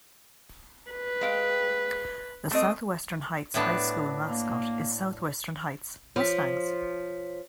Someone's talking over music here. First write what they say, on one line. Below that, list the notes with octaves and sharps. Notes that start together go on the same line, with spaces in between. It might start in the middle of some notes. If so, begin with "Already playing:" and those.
The Southwestern Heights High School mascot is Southwestern Heights Mustangs.
B4
G#3 F5 G5
A3 C4 D#5
A2 B3 D4
A#3
F3 C#5 B6